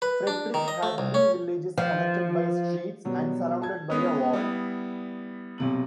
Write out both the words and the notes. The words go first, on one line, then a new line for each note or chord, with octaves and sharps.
Frederick had three villages connected by streets and surrounded by a wall.
B4
D4
D#3
D#5
A3
C2
C#4
F3
B2 F#3 G3
A5 G#6
G#3 B3 C#4 D#6
G3 B3 E4
B1 C3 F#7